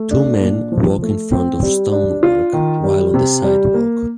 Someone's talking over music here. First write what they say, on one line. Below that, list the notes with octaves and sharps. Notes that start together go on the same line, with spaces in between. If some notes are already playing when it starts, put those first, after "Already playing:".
Two men walk in front of stone work, while on the sidewalk.
Already playing: A3
D4
A#2
F3
A3
C4
G3
D4
F4
D#3
G3
C3
G3
A#3